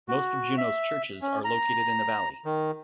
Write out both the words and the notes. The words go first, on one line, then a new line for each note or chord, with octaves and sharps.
Most of Juneau's churches are located in the Valley.
F#4
E5
C#4
A#5
D#3